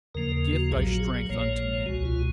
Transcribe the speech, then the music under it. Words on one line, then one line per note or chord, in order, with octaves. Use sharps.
Gift thy strength unto me.
D#2 C#3 F3 A#3 A#4
F#4
A#1 A#2 F#3 G#4
F#4
G#4
G#4
A#1 A#2 F3 A#3 C#5
C#5
C#2 B2 G#3 F#4
F4